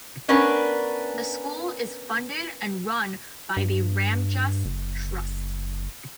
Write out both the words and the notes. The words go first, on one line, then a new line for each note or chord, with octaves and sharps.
The school is funded and run by the Ramjas Trust.
B3 C#4 D4 A#4 B4
G2
F#1